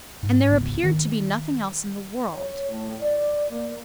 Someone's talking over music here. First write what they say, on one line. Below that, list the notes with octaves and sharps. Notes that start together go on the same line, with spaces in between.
And there appeared to be nothing else in the world.
G#2
D1 G#1 C#2 B3
D#3
C#5
A2
D5
A#3